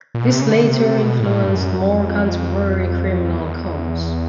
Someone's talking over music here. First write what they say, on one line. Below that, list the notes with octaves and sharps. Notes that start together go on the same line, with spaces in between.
This later influenced more contemporary criminal codes.
A#2
B2
C3
C#3
D3
C3
C3
B2
A2
G2
F#2
F#2
F2
F2
E2